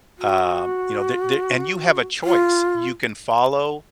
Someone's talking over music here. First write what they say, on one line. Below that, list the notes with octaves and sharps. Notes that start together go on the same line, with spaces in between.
um, you know, th there and you have a choice. You can follow,
F#4
F4